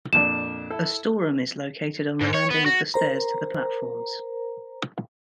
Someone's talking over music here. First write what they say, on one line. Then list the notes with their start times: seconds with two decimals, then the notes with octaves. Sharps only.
A storeroom is located on the landing of the stairs to the platforms.
0.13 F2 A#2 D4 E7
0.70 E4 A4
2.21 G#2
2.34 C#5
2.50 B3
2.66 F#4
2.94 A#4 C5 A#5